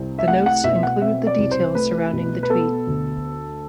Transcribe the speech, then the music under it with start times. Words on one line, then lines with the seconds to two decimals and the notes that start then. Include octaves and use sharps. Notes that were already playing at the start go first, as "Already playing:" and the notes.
The notes include the details surrounding the tweet.
Already playing: C2 C4
0.19 E5
0.28 A3 F#5
0.46 F#5
0.64 B2 E5
0.83 F#5
1.01 C4 E5
1.27 D5
1.38 C2
1.51 C5
1.75 A3 B4
2.13 B2
2.43 B4
2.49 B3 A4
2.87 D2